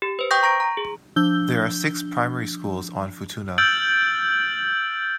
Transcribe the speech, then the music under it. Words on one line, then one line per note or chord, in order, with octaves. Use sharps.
There are six primary schools on Futuna.
G4
B4 C5
G5 C#6 D#6 G6 A#6
A#5 C#6 A#6 D7
A#5
G#4
F3 D4 E6 G6 G7
E6 F6 G6 A6 D7 F#7